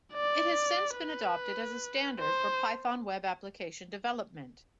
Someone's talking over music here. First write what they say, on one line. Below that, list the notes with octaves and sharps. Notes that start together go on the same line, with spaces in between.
It has since been adopted as a standard for Python web application development.
D5
B4
C5